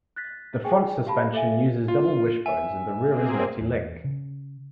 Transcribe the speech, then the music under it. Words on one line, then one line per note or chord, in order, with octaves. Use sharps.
The front suspension uses double wishbones and the rear is multi-link.
F#6 A6 B6
G#4 G5 G#5
G4 F5 A5 B5
A4 E5 F5 G#5
F4
E5 G#5
A#3 C4 G#4
E2
C#3